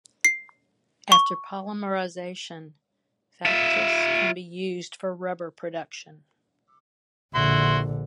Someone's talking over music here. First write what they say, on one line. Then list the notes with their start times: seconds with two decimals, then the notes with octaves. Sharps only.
After polymerization, factice can be used for rubber production.
0.25 C7
1.12 C#6
3.45 F4 E5
7.35 A#1 D3 E4 F#4 C6